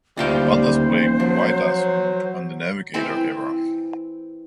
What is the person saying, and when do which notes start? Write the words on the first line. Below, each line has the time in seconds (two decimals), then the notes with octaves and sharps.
Others blame "Whydah's" route on navigator error.
0.17 D#1 D2 G3 F4 C5 G5
1.20 F3 F#3
2.94 E3 C4 C5